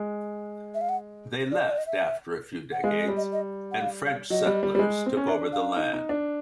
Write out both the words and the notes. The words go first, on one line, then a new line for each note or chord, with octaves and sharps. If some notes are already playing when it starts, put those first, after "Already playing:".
They left after a few decades and French settlers took over the land.
Already playing: G#3
E5
F5
F#5
D5
D#5
D5
D#5
E5
F#5
G#3 F5
D#5
G3
D#5
D#5
F#5
F5
F5
F#3 D#5
G3
G3
G3
G#3
C4
C#4
D4 E5
F5
D#4
D#4
D4